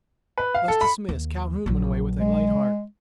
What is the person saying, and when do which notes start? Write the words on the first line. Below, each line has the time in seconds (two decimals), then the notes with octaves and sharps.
Thus dismissed Calhoun went away with a light heart.
0.38 B4
0.55 F5
0.68 A4
0.81 B5
1.09 D#2
1.66 A#1 F#3
2.19 G#3